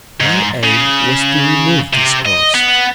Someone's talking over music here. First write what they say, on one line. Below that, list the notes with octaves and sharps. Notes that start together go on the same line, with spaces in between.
My aim was to remove this cause.
G#2
C#3
C3
D#5
B3